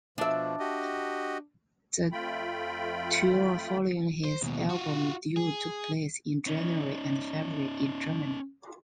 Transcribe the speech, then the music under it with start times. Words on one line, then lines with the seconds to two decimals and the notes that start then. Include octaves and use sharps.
The tour following his album "Due" took place in January and February in Germany.
0.18 B2 F3 D4 E5
0.60 F#4 G4 D#5
2.12 F2 A3 F4 G5 B5
4.25 C5
4.42 D#2 B2
4.70 F4 F#4
5.37 G#4
6.47 C#4 D#4